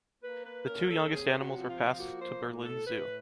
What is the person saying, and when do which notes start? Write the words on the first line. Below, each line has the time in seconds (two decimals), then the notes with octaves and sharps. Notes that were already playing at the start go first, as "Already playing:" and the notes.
The two youngest animals were passed to Berlin Zoo.
0.23 A#3 B4
0.45 B4
0.66 C#4 A#4
0.88 A4
1.10 C3 G#4
1.39 F#4
1.55 F3
1.68 F4
1.98 A#3 F#4
2.20 C5
2.42 A2
2.64 A4
2.86 A2 B4